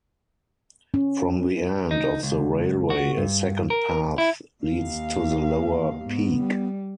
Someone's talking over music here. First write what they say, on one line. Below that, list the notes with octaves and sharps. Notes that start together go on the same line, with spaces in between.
From the end of the railway a second path leads to the lower peak.
C#4
D#4
C#2
F#4
G2
A#4
E4
D#2 F5
G#2 B3
G3